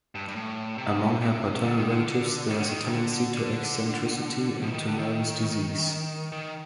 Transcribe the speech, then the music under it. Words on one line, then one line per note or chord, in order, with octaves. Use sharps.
Among her paternal relatives there is a tendency to eccentricity and to nervous disease.
G2
G2
A2
C3
C3
D3
D#3
D3
D3
D#3
D3
D#3
C3
D3
D3
F3
D#3
D3
D#3
D#3